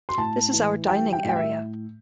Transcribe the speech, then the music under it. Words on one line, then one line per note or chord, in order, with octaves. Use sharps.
This is our dining area.
C6
A2 A5
E3
G3 G5
G5
A2 G5
E5